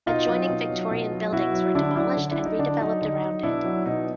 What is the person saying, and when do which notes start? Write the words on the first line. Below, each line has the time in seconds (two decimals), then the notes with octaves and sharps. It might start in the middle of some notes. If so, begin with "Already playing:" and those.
Adjoining Victorian buildings were demolished and redeveloped around it.
0.06 B2 D#4 F4
0.27 F#3
0.49 B2
0.70 F#3
0.91 B2
1.12 F#3
1.33 B2 E4 F#4
1.54 F#3
1.75 D3 D4 E4
1.96 F#3 D4 E4
2.17 D3
2.31 D4 E4
2.39 F#3
2.45 D#4
2.59 D3 D4
2.80 F#3 D#4
3.01 D3 D#4
3.22 F#3
3.43 B2 D4 E4
3.64 F#3
3.86 B2 D#4